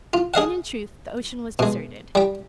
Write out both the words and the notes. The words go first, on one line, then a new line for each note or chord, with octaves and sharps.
And in truth, the ocean was deserted.
F4
G#4 D#5 F5 F#5
B2 G#3
G3 G5